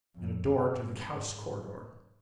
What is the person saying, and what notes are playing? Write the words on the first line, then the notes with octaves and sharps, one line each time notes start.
And a door to the house corridor.
F2
G2
G2
G#2